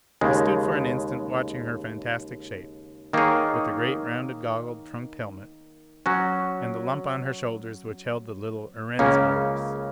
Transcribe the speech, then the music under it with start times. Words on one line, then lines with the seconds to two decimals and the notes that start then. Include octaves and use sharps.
I stood for an instant watching her fantastic shape, with the great rounded, goggled, trunked helmet and the lump on her shoulders which held the little Erentz motors.
0.21 D#2 C#3 G#3
3.13 D#3 A#3 D#4 G#4 C#5
6.06 F#3 C#4 F#4
8.99 C#2 C#3 A#3 C#4 A#4